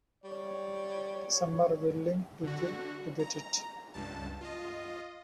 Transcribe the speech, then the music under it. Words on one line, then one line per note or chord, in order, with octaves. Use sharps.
Some are willing to kill to get it.
G3 C#5
D3 F#4
A#5
C#2 G2 A5
F4 D#5